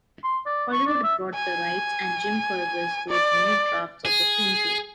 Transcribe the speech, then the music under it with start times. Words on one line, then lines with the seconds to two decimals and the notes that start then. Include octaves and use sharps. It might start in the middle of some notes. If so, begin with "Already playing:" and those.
Hollywood brought the rights and Jim Fergus wrote many drafts of the screenplay.
0.24 C6
0.46 D5
0.72 C#6
0.87 D5
1.04 E5
1.34 G#5
3.09 D5
4.05 G#4